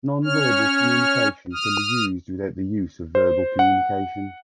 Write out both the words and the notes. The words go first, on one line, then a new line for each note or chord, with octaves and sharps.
Nonverbal communication can be used without the use of verbal communication.
C#4 C#5 F6
D#6 F6
C5
F#5